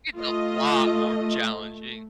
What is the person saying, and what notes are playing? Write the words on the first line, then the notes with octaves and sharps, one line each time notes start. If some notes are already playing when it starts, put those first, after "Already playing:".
It's a lot more challenging.
A3 F4 D#5